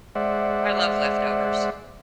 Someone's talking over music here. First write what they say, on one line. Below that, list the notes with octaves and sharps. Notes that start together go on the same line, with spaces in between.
I love leftovers,
G#3 C5 D5 E5 F#5